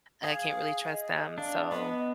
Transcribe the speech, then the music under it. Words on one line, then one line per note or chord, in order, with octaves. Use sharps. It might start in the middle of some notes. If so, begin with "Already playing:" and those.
that I can't really trust them so,
G#4 F5
D#5
D4 F5
B3 D#5